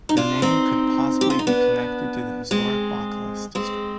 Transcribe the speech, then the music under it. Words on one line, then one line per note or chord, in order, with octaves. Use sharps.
The name could possibly be connected to the historic Baucalis district.
D#4
D4 F4
C4 D#4
G4
F4
D#4
B3 D4
G#3 C4
G#3 C4